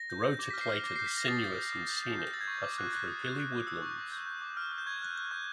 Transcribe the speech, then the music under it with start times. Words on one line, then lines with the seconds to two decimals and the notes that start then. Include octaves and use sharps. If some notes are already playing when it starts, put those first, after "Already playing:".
The road to Clayton is sinuous and scenic, passing through hilly woodlands.
Already playing: A#6
0.10 G6
0.24 G6
0.39 D6 A#6
0.50 B6
0.53 F6
0.61 C7
0.69 F6 B6
0.84 D6 A#6
0.96 G6 C7
1.06 B6
1.13 G6 A#6
1.28 D#6 A6
1.44 G6
1.59 G6
1.73 D6
1.88 G6
2.04 G6
2.18 G6
2.33 E6 A6
2.41 G#6
2.48 C#6
2.63 D6
2.78 F#6
2.93 F#6
3.08 D#6
3.23 F#6
3.38 F#6
3.52 G6
3.67 E6
3.82 C#6
3.98 D6
4.12 G6
4.27 G6
4.42 D6
4.57 F6
4.72 F6
4.78 G6
4.86 C#6 G#6
5.02 F#6
5.17 F#6
5.31 C#6 G6